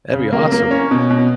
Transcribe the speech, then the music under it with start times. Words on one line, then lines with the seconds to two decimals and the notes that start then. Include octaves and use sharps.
That'd be awesome.
0.13 C#3
0.33 A#3
0.52 A#3
0.71 C#4
0.91 B2
1.11 B2